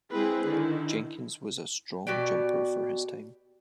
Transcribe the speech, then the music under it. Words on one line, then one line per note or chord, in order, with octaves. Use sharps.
Jenkins was a strong jumper for his time.
G#3 C4 E4 G#4 B4
D3 D#3 E4
B2 F#4 G4 D5